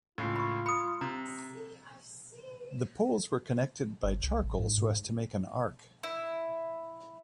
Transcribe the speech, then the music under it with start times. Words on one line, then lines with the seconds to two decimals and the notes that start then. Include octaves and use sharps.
The poles were connected by charcoal so as to make an arc.
0.18 C#2 A2 F4
0.36 B5 C#6
0.66 B5 D#6 C#7
1.01 C3 A#5
4.03 G1
4.23 C2
4.44 A1
4.59 G#2
4.78 G#2
6.03 E4